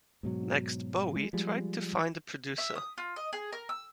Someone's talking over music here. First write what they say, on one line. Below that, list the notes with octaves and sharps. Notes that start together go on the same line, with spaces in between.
Next Bowie tried to find a producer.
G#2 B2 F#3
G#3
F3 G3 G#3
E5
D#6
F4
D#5
G#4
A#4
E6